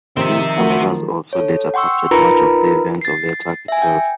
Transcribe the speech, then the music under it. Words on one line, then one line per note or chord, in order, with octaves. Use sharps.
These cameras also later captured much of the events of the attack itself.
C3 D#3 F3 C4 E5
F#3 A3 F#4 A#4
A4 C#5
F#5 G5 C6 C#6 E6
D#4 F4 A#4 B4 A#5 B5
A6 C7
E5 G#5
G5